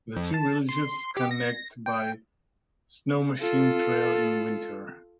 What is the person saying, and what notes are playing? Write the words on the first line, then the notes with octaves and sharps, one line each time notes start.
The two villages connect by snowmachine trail in winter.
F2
A5
C6
G4
A#6
G5
F4 A4